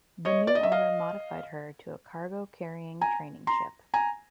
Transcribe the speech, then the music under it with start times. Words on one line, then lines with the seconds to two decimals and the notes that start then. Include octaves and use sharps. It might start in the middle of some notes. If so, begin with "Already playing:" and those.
The new owner modified her to a cargo-carrying training ship.
0.25 C#5 D#5
0.47 D5
0.55 D#5
0.63 E5
0.72 D#5 F5
3.01 G#5 A#5
3.47 A#5 C6
3.94 G#5 A#5